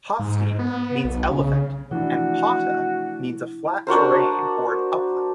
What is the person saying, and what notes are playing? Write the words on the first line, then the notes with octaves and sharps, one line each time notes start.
'Hasti' means elephant and 'Potta' means a flat terrain or an upland.
G#2
B3
B1
C#3
C3 E3 F3 A3 D4 E4 F#4
D4 F#4 A#4 C5